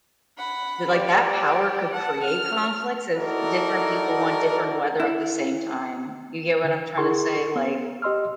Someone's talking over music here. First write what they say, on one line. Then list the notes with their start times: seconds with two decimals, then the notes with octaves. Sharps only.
like, that power could create conflicts if different people want different weather at the same time. You get what I'm trying to say? Like,
0.38 F#5 B5
0.90 G4 D5
1.93 F#5 A5
2.23 F6
3.16 D#4 E4 F#4 A4 A#4 D5
5.00 E4
6.64 D3
6.97 E4 G#4 A#4 C6 C#6
7.56 B3
8.02 G4 D#5 C6 E6 F6